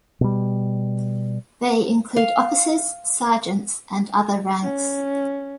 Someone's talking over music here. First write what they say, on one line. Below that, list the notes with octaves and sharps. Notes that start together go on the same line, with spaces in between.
They include officers, sergeants and other ranks.
B2 G3
F5
C#4